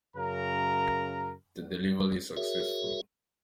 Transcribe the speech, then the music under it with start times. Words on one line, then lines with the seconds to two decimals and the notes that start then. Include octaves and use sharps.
The delivery is successful.
0.16 F#2 C#3 A#4 A#5
2.37 F#4 G#4 A#4 C#5 E5